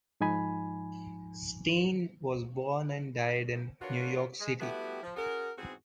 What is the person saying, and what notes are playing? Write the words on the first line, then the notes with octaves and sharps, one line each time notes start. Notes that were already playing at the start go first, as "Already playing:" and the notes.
Stein was born and died in New York City.
G#2 F3 D#4 G#5 B5
D4 F4 F#4 A#4 B4 C#5
G#3
G3 A3 B3 E4 F#4 G4
F3
C#4 F#4 G#4 A#4
E2 G#2 C4 F#4 G#4